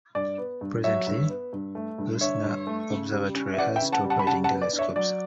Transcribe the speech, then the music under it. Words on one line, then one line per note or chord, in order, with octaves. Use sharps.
Presently, Leuschner Observatory has two operating telescopes.
G2 D5
B3
G2
F#3 C#5 E5
G2
B3
G2
A3
G2
D3 C#5 E5
G2
A3
C#3
G3
C#4
E5
E3 D5 F#5
E5 G5
C#3
F#5 A5
G3
F#5 A5
B5
C#3 F#5 A5
F#5 A5
B3
D5
D4
C#5 E5
F#3 D5